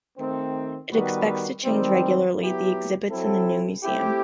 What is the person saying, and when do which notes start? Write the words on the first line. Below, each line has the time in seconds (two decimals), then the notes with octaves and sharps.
It expects to change regularly the exhibits in the new museum.
0.18 D#3 A3 C4
0.91 D#3 G3 B3 F#4 B4
1.64 D#3 G3 C4
2.36 F#3 B3 E4 G4
3.10 F#3 C4 E4 A4
3.83 A3 C4 E4 G4